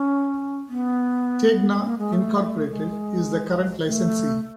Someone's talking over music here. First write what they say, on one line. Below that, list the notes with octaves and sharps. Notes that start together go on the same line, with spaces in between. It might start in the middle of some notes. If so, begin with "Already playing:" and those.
Tegna, Incorporated is the current licensee.
Already playing: C#4
B3
A#3
G#3
A3
G#3
A3